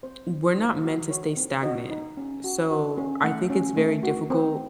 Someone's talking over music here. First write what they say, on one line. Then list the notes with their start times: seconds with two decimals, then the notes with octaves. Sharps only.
we're not meant to stay stagnant, so I think it's very difficult
0.03 C4 C5
0.30 C4
0.57 D#4
0.84 F#4
1.10 F#4 C#5
1.37 C4
1.63 F#4 D#5
1.90 D#4
2.17 C#4
2.44 F#4
2.70 F#4
2.98 C#4
3.24 A3 F#5
3.50 C#4
3.77 A3
4.03 F#4
4.30 C4